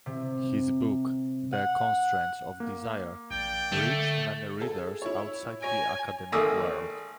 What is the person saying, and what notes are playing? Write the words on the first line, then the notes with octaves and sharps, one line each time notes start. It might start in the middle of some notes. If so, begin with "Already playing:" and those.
His book "The Constraints of Desire" reached many readers outside the academic world.
C3
F#5
A#3
A#1 D5 G5
D3 A3
G#4 A4
E4 C#5
C#5 G#5 A#6 D7
G#1 A3 A#3 D#6 E6